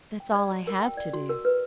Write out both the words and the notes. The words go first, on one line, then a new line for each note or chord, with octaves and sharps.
That's all I have to do.'
G5
D5
F#4
A#4
G5
D5
F#4
A#4
B4